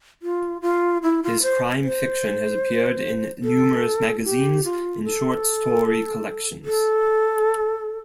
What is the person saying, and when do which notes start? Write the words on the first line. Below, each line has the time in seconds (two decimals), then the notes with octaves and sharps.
His crime fiction has appeared in numerous magazines and short-story collections.
0.22 F4
0.62 F4
1.03 E4
1.23 F4
1.42 C5
1.83 C5
3.44 A4
4.25 G4
4.65 F4
5.05 A4
6.65 A4